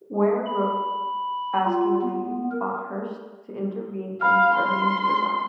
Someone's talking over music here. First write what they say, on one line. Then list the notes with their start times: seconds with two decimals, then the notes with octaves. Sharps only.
Ware wrote asking Lady Bathurst to intervene and threatening to resign.
0.46 B5
1.65 F4
2.02 B3
2.52 A#4
4.21 F5 B5 F6
4.55 C6